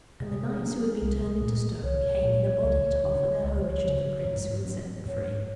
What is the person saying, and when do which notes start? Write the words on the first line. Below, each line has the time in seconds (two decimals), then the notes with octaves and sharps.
And the knights who had been turned into stone came in a body to offer their homage to the prince who had set them free.
0.20 C3 G#4
0.61 F#3 A#3
1.01 C2
1.42 A#2 G#3
1.83 C2 C#5
2.23 A#2 G#3
2.63 C#2
3.04 C#3 F#3
3.44 C#2 D#5
3.52 C#5
3.60 C5
3.67 C#5
3.85 C#3 F#3
4.25 G#2
4.66 F#3 C4
5.06 G#2 C#5